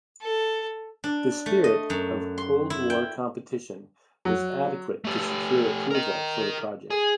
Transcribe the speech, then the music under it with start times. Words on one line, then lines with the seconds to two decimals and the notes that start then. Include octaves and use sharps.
The spirit of cold war competition was adequate to secure approval for the project.
0.21 A4
1.04 D4
1.46 A3
1.64 D#5
1.90 F#2
2.38 C6
2.70 E4
2.90 G5
4.25 F#3
5.05 A3 G4
5.91 A#4 D#5
6.90 G#4